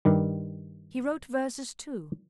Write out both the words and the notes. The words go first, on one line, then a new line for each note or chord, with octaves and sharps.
He wrote verses too.
G2 D#3 G3